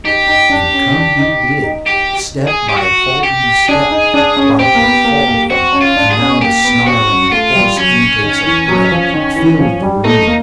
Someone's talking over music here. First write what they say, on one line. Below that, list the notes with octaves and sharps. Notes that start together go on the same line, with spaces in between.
And come he did, step by halting step, while she hauled him, and now the snarling hoarse intakes of breath filled the room.
D#4 G4
D#4
D4
C#4
D4
D#4
D#4
G4
G#4
G4
F#4
G4
D4 G#4
D#4
D4
C#4
C4 G4
A#3
B3
A#3
A#3
C4 F#4
C#4
F4
D4
G#4
C#4
A#3 G4
B3
C4 F#4
C#4
A3 F4
G3
F#3 C#4
D#3
E3
F#3
F3
D#3
E3
F3
G3
A3 D#4
A#3